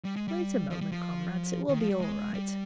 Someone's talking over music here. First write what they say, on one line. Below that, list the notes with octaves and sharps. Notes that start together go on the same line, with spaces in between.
'Wait a moment, comrades, it will be all right.
G3
G#3
G3
F3
G3
F3
D#3
F3
G3
G#3
G3